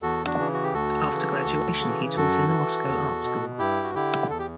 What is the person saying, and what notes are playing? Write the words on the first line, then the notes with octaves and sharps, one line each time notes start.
After graduation he taught in the Moscow Art School.
E2 F#4 A4
D4 F#4
C#3 E3
F#4
G4
D2 F#4 A4
C#3 E3
D2
C#3 E3
F#2 F#4 A4
E3
E2
B2
G2 E4 G4
F#4
D3 E4 G4
E2 A4
G4